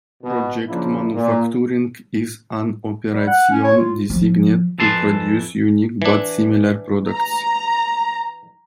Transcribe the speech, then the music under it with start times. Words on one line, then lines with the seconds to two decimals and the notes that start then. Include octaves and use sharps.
Project Manufacturing is an operation designed to produce unique but similar products.
0.23 B2
0.69 F#2 C#3 F3 A#3 D4 E4
1.14 A#2
3.11 G3
3.27 F#5
3.50 C#4
3.64 C#5
3.77 F4
4.10 F3
4.78 F2 E3 A5 C6
6.02 E3 D4
7.09 A#5